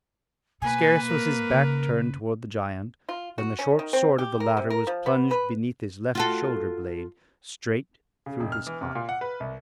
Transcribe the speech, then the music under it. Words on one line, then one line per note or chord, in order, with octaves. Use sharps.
Scarce was his back turned toward the giant than the short-sword of the latter was plunged beneath his left shoulder blade, straight through his heart.
B2 A#3 B4 G#5
A#4
C#3
F4
F#4
C#4
D#3
C4
G4
A#4
C3
A#4
F3
B3
B4
F4 F#4 A4
C#3
E1
F6
E3
C3
A#2
F#5
B4
C2